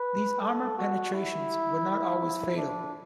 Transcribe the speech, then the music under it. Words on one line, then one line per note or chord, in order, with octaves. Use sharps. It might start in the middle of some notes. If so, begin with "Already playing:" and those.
These armour penetrations were not always fatal.
Already playing: B4
A4
F#4
E4
D4